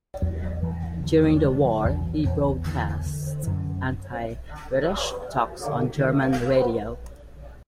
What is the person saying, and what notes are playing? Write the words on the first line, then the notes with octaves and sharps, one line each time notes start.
During the war, he broadcast anti-British talks on German radio.
E2 F#3
F#3
E2 E3
E3
D3 F#3
A3
D3 G3
F#3
E2 F#3
E2
D3 E3
D3
E3
F#2 D3